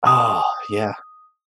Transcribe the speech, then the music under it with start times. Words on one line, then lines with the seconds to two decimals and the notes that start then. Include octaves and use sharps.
Oh, yeah.
0.07 D#6